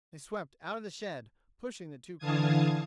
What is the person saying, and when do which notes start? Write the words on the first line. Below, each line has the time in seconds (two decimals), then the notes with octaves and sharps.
They swept out of the shed, pushing the two cars.
2.18 D3 E3 F5 A5 D#6 G#6